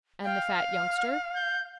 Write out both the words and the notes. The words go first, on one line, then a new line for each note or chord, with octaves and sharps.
"And the fat youngster?"
F5 G5
F6
G6